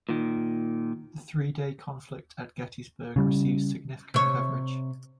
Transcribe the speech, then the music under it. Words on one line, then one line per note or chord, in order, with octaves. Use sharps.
The three-day conflict at Gettysburg receives significant coverage.
A#2 D#3
C#3 G3
C3 C#5